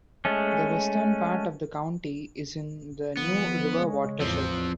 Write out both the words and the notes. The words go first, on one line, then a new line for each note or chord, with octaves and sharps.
The western part of the county is in the New River watershed.
G#3 A3 C#4
D#3 F3 B3
C#3 G#3 C#4
A1 E2 F3 C4